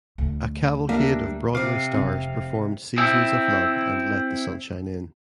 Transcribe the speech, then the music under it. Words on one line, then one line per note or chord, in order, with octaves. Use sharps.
A cavalcade of Broadway stars performed "Seasons of Love" and "Let the Sunshine In".
D2
G3 A#3 D4 A#4 E5
C3 F5 D6
F1 C4
C4 E4